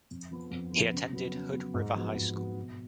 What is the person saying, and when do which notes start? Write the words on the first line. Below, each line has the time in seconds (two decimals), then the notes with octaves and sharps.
He attended Hood River High School.
0.11 F2
0.31 F3 B3
0.51 F2
0.72 F3 B3
0.93 C#3
1.13 F#3 B3
1.34 C#3
1.53 F#3 B3
1.74 G#2
1.95 F3 B3 F#4
2.16 G#2
2.36 F3 B3 F#4
2.56 B2